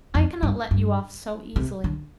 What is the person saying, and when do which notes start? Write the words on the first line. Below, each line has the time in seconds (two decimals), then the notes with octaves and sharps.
I cannot let you off so easily.
0.15 F2
0.43 G2
0.71 G2
1.56 C3
1.84 D3